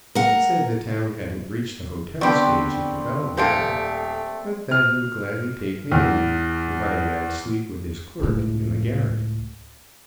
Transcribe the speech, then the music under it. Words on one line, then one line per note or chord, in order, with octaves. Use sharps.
He said the town hadn't reached the hotel stage of development yet, but that he would gladly take me in, provided I'd sleep with his clerk in the garret.
A#4 F#5
D3 G3 B3 C4 G4 D5 B5 C#6
D#1 A3 A#3 G4 C5 C6 D7
F6
E2
C#2 A2